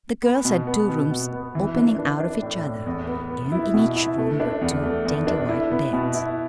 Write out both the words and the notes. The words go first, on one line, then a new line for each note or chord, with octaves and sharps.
The girls had two rooms opening out of each other, and in each room were two dainty white beds.
B3
B2
B3
B2
B2
B3
E3
D4
D4
D4
A2
A2
E2
B3
B3
E4
B2
E4
A3
D4
E2
A3
E2
D4
E4
B3
B2
E4